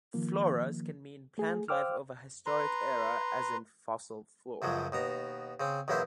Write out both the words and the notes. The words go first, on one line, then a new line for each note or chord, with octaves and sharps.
Floras can mean plant life of a historic era as in "fossil flora".
D#3 F3 A#3
A3 G#4
C5 F5 G5 D6 E6 F6
B4 A#5 C6
C#2 F#2 F3 F#3
D#2 B2 A#5
C#3 C4
B1 E2 F#3 A#3 E4 C5